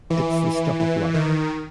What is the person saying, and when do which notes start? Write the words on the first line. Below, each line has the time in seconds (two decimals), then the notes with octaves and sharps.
It's the stuff of life.
0.10 E3
0.80 E3
1.14 D#3